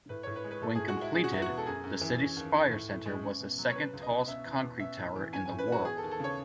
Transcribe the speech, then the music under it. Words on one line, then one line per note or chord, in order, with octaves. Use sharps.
When completed, the CitySpire Center was the second tallest concrete tower in the world.
A2 B4
A2 C#5
B4
G#3
B4
A2 A4
G#4
A2
F#4
G#3 E4
C#4 G#4
F#4
E2 E4
F#4
B2
A4
F#2 G#4
F#2
E3
C#4
D#2
D#3
A2
A2
G#3
C#4
B2
F#3
C#5
C#4 B4
C#2
D#5
B2
C#4 E5
E2
B2
C#4 E5
A2
E3
C#4 G#5
G#5
A2
B4
E3 F#4
B3 G#4
A4
D#2
A4
C#3 C#5